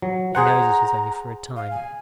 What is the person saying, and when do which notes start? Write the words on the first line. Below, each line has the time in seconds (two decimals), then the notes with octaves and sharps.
He knows it is only for a time.
0.02 F#3
0.35 G#4 C5 F#5 A#5
1.56 F5
1.71 G#5